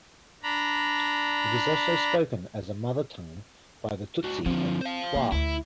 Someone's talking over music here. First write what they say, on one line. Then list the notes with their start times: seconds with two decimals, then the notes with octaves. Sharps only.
It is also spoken as a mother tongue by the Tutsi and Twa.
0.43 D4 A#5 B5
4.24 C#2 F#4
4.46 D3 F3 C4
4.81 C5 F5
5.15 A#3
5.32 D2 E4